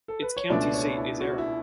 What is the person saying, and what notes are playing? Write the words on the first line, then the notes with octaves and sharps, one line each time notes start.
Its county seat is Erin.
A4
B4
C#5
C#2 B2 A3 D4 D5
C#5
E4
F#4
E4